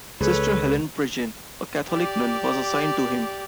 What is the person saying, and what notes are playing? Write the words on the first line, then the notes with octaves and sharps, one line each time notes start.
Sister Helen Prejean, a Catholic nun, was assigned to him.
C#2 G#4 A4 B4 C#5
G4 D5